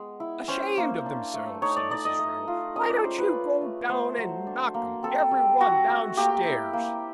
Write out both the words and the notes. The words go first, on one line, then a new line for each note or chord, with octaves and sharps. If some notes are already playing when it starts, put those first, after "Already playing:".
'Ashamed of themselves!' said Mrs. Raddle. 'Why don't you go down and knock 'em every one downstairs?
Already playing: G#3 B3
E4
C#4 C5
A#3
D4
A3
D#4 C#5
D5
D#4 D5
D#5
A3
F4
C#4 D#5
D5
G#3 C5
B4
C#4
A3
A3 C5
F#3
D4
A#3
C4 A4
G3
C4 F#4
A3
A#3 G4
E4
A#3